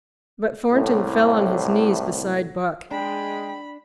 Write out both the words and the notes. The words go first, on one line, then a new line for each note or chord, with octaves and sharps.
But Thornton fell on his knees beside Buck.
C2 A2
G#3 D4 G5 B5